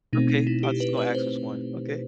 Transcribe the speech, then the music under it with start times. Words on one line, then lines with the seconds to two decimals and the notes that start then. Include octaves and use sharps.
Okay, I was just gonna ask which one, okay.
0.13 B2 A3 C4 D#4
0.30 D#4
0.47 E4
0.63 G4
0.80 B4
0.97 B4
1.15 C5